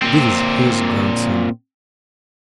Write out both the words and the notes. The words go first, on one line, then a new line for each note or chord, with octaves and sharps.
This is his grandson.
A#2 C4